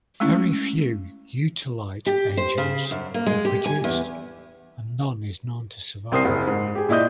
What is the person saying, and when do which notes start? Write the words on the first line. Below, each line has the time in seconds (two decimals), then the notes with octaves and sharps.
Very few Utilite Engines were produced, and none is known to survive.
0.20 G#3 A3 C#4 E4
2.06 G4
2.37 C5
2.58 C#3
2.91 F#2
3.14 A#3
3.26 G#3
3.45 G4
3.66 G#5
3.84 E2
6.12 C2 C4 A#4 D#6 C7
6.25 F#1
6.47 G#2
6.75 G4 G#4
6.89 A#2 E4 D5 D#5 D#6 G6